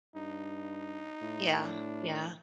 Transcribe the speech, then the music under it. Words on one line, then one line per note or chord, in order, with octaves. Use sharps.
Yeah, yeah.
G2 D#4
A2
D4